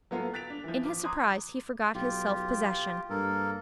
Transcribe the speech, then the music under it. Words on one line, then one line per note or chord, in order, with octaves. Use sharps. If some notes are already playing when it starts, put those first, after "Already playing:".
In his surprise he forgot his self-possession.
F#3 B3 F4 A4
F#6 A6 B6 D7 F7
D4
E3 F3
F3 D6
A#5 C6 D6 D#6 F#6 G#6
B1 F4 G4
G2 A#3 A4 A#4